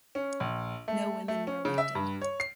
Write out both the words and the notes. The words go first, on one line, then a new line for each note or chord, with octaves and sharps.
No women were elected.
C#4
A#1
A3
A3
C#4
C#3
E5
G2
C#5
C7